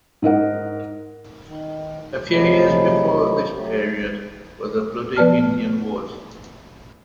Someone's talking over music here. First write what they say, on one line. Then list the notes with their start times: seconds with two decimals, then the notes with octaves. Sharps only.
A few years before this period were the bloody Indian Wars.
0.22 G#2 D#4 A#4 F#5
1.46 D#3
2.28 C3 F3 F#3 G#3 A3 E4
3.54 F#3 A3 G4
5.17 F3 B3 B4 D5 A5 F6